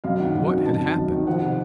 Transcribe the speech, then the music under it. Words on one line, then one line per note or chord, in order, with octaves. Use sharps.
What had happened?
F#2 F5
D#3 F#5
F#2
D#3
F#2 A5
D#3
F#2
D#3
F3 F#5
C3